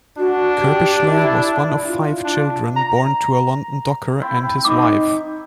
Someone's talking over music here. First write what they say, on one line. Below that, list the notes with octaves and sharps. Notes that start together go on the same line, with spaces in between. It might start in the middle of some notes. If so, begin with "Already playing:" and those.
Curbishley was one of five children born to a London docker and his wife.
D4 F#4
G4
E4
F4
D4
A#5
C4 E4 G5
D#4 D6